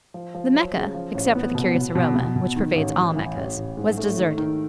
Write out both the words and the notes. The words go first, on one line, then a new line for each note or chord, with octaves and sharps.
The Mecca, except for the curious aroma which pervades all Meccas, was deserted.
F3
F3
F#3
C#3
F3
A1
B3
B2
B2
B2
B2
B2
D#3
A1
E3
E3
A1
A1
G#2
A3
D#3
D#3